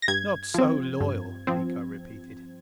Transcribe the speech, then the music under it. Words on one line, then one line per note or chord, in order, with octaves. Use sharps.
"Not so loyal," Miko repeated.
A#6
G2 G#6
F3 C4
G2
F3 C4